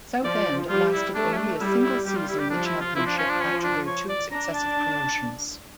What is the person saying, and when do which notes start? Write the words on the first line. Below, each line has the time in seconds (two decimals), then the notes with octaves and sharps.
Southend lasted only a single season in the Championship after their two successive promotions.
0.24 F3 D5
0.69 G3 F4
0.93 E4
1.14 A3 D4
1.33 C#4
1.37 D4
1.60 G3 E4
1.83 E4
2.06 G3 G4
2.16 F4
2.28 E4
2.39 G4
2.50 F3 D4
2.66 E4
2.81 F4
2.95 F3 E4
3.07 D4
3.18 C#4
3.29 D4
3.41 C#4
3.64 D4
3.87 C#5
4.09 D5
4.31 D4 A#5
4.55 A5